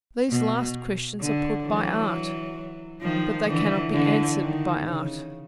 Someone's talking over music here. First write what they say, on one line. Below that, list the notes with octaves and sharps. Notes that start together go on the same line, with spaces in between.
These last questions are put by Art, but they cannot be answered by Art.
B2
D3
E3 F#3
D#3 F3
D3 E3
D3 E3
D#3
C#3